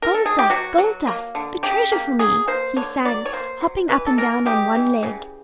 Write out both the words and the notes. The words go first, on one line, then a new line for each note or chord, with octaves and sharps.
"Gold dust, gold dust, a treasure for me!" he sang, hopping up and down on one leg.
A#4
A4
G#4
G4
F#3 F#4
F#3
A#3
D3
C#3 G4
A#3
F#3 G#4
A#3 C5
D3 C#5
F#3 D5
C#5
A#3 C5
F#3
E3 B4
A4
E3 A#4
G#3 G4
E3
C#3